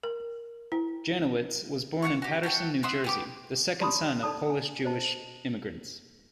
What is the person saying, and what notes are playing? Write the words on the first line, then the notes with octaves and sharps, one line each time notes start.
Janowitz was born in Paterson, New Jersey, the second son of Polish-Jewish immigrants.
A#4
E4
F5 F#5 G#5 C#6
F#4 G4
A3 F#4 F#5 G5
E5 F#5 C6 D#6
B3 G4 D6
G4 D5 A5 B5 C6 D#6
D#4 A4 D5 A5 D#6
G#5
C5 D#5 A5